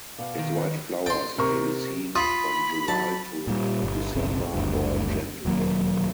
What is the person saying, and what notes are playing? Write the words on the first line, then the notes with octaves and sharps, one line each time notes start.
Its white flowers may be seen from July to December or January.
B2 D5 F5
D#3
D#4 B4 F#5
G5 C6 A6
C3 A#4 C#6
F4 B5 D#6 C7
F#3 A5
A#2 G3
G1
F#1 B1 C#3 C4
F#1 D2 G2
E1 D#2 F#3 A#3